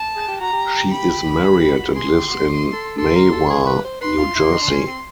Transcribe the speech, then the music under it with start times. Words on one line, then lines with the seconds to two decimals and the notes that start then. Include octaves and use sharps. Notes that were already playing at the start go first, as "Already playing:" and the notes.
She is married and lives in Mahwah, New Jersey.
Already playing: A5
0.16 G#4
0.28 G4
0.41 F#4 A#5
0.53 G4
0.92 B5
1.44 G#4
1.61 G4
1.78 F#4
1.96 G#4 C6
2.13 G4
2.30 F#4
2.73 A4
2.98 A4 C6
3.16 A#4
3.33 A4
3.50 G#4
3.67 B4
3.85 C5
4.01 B4 C6
4.18 F4
4.35 E4
4.52 D#4
4.62 D4
4.70 C#4
4.87 C4